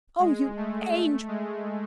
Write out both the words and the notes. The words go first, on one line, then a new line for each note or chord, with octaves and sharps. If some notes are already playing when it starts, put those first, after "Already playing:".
Oh, you angel!
G#3
A3
G#3